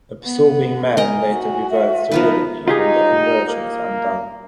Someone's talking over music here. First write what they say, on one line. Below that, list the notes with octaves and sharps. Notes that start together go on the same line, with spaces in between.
Absorbing Man later reverts to villainy when the inversion is undone.
B3
A#4 D#5 G#5
F#4
E5
F3 B3 D#4 A#4 B4
D#4 F4 G4 G#4
A#3